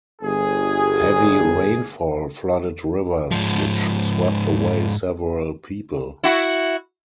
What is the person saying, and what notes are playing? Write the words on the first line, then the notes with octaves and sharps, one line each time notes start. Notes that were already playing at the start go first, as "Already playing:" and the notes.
Heavy rainfall flooded rivers, which swept away several people.
G1 G#4
G#2 F3
E4 F#4